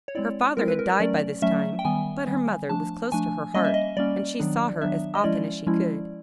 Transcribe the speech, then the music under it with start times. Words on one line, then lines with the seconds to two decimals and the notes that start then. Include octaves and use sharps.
Her father had died by this time, but her mother was close to her heart and she saw her as often as she could.
0.08 C#5
0.15 G#3 C4 E4 D5
0.57 G#3 C4 E4 A#4
0.68 B4
0.79 A#4
1.00 F#3 A3 C#4 D5
1.42 F#3 A3 C#4 E5
1.79 G5
1.85 D#3 G3 B3 G#5
2.27 D#3 G3 B3
2.69 F3 A3 D4 A5
3.12 F3 A3 D4 G#5
3.54 G3 A#3 C#4 D#5
3.64 E5
3.74 D#5
3.97 G3 A#3 C#4 D5
4.39 D#3 F#3 B3 D4
4.81 D#3 F#3 B3 D4 E5
5.15 D#5
5.24 F3 G#3 C#4 E4 D5
5.67 F3 G#3 C#4 E4